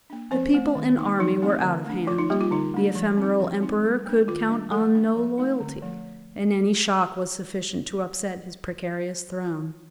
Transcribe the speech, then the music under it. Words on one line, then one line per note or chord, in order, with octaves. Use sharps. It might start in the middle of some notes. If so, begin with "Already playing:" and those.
The people and army were out of hand, the ephemeral emperor could count on no loyalty, and any shock was sufficient to upset his precarious throne.
A#3 D4
F3 C4 C5
A3 C4
D#3
A#3 D#4
F3 D#4
A3 C4 D#4
D3
A3 D4
F3 F4
D#4
G3 A#3 D#4 G4
F4
D3 D#4
A3 D4
F3
C4 D#4
F3
C4 D#4
G3
A#3 D4
D#3 F4
G3 D4
F3 A3 A4
A#3 D4
F3
A3 D#4
D3
F3 A3